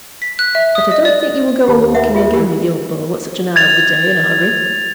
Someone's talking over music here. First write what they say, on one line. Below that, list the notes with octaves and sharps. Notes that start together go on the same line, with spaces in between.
But I don't think you will go a-walking again with your beau, at such an hour of the day, in a hurry.
B6
F#6
E5
D#6
D#5
D5
D#2 G4 A5
E5 F#5
F4 G#4 E5
E3 G4
G#6 A6 F7